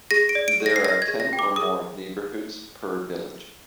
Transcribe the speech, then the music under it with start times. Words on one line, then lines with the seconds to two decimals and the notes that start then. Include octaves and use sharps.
There are ten or more neighborhoods per village.
0.11 G#4 A#6
0.29 D7
0.35 D5
0.48 D7
0.60 G#4
0.66 A#6
0.76 C7
0.84 D#5 A#6
1.02 G#6
1.08 G#4
1.20 A#6
1.33 G5
1.39 D6
1.56 G#4 D#6